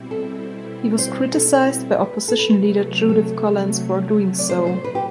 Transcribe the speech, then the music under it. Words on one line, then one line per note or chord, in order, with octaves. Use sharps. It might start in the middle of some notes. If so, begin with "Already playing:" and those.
He was criticised by opposition leader Judith Collins for doing so.
Already playing: B2 G3 C4 E4
A4
C5
A4
G4
B4
A4
C3 F#3 A3 B4
A4
D5
C5
C5
B4
G4